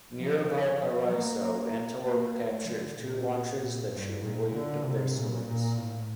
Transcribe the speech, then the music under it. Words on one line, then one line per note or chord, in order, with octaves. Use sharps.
Near Valparaiso "Antelope" captured two launches that she relieved of their stores.
F3
A#3
A#3
A3
D3
A#2
A#2
G2
A#2
D3
C3
A#2
A#2
A2